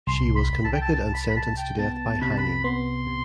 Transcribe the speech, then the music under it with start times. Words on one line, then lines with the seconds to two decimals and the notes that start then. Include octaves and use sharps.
She was convicted and sentenced to death by hanging.
0.07 C2 C6
0.36 B5
0.50 C2
0.64 A5
0.73 G5
0.81 A5
0.92 C2 A5
1.14 B5
1.30 B5
1.35 C2 A5
1.57 G5
1.78 B3 A5
2.22 C3 B5
2.30 A5
2.38 B5
2.64 B3 C6
3.07 C3